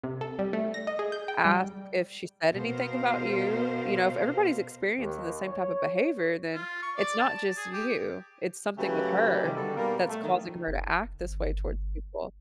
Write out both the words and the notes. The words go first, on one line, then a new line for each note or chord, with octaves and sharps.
ask if she said anything about you, you know, if everybody's experiencing the same type of behavior, then it's not just you, it's something with her that's causing her to act this way towards people.
C3
A4
G3
A3
A#6
D#5
G#4
G6
G5
G3
B2 A#4 C5 F5
D#2
C#5
F4
C#6
D5
A5
G#4
G4
C#3 F#3 A3 A#3 G4 B4
C3 D#3 G3
D3 G3 F#4 A4
B2 G3 A#3 A#4
A3
D#3
F#1
G1